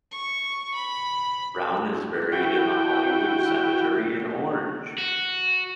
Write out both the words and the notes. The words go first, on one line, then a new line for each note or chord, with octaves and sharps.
Brown is buried in the Hollywood Cemetery in Orange.
C#6
B5
E4 F#4 G5
F#4